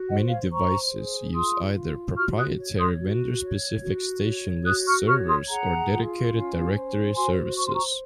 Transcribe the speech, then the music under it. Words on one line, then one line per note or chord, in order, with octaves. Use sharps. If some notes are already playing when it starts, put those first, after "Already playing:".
Many devices use either proprietary vendor-specific station list servers or dedicated directory services.
Already playing: F#4
C5 D#5 F#5
C#5 F5
C5 A#5 C#6
G#4
F4 C6 D#6
F4
F#4 C#6 F6
D#6 F#6
C#5
C6 D#6
F#4
C#5
F#4
C#5
F#4 D#6 F#6
C#6 F6
C#5 C#6 F6
C6 D#6
G#4 F#5 A#5
F4
C#4
C5
F#4 G#5 C6
C5 C#6
C6
A#5 C#6